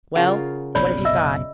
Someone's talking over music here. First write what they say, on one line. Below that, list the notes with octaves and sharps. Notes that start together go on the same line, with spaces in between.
"Well, what have you got?"
C#3 F4 A#4 F#5 C#6
F#1 B1 C3 C#5 D5 B5
D#5 E5 E6